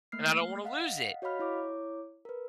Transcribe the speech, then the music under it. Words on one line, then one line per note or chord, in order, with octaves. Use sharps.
and I don't wanna lose it."
A3 A#3 F6 C7
D#5 F5 F#5
F#4 C#5 D#5 F5 B5 F6
E4 C#5 D6
A#4 B4